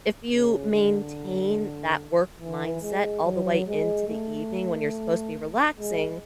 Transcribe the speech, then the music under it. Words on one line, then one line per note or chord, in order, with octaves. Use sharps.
if you maintain that work mindset all the way into the evening when you're supposed to be relaxing,
C#3
D3
E3
G#3
F#3
G#3
A3
G#3